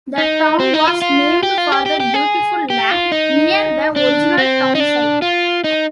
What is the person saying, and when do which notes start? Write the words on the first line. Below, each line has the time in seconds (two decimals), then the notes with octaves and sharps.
The town was named for the "beautiful land" near the original town site.
0.18 D#4
0.60 C4
0.74 D#4
0.87 F4
1.02 F4
1.43 G4
1.58 F4
1.72 G4
1.86 G4
2.00 G4
2.14 G#4
2.70 G4
2.91 F4
3.12 D#4
3.96 D4
4.38 C4
4.75 D#4
4.80 D4
5.22 F4
5.64 D#4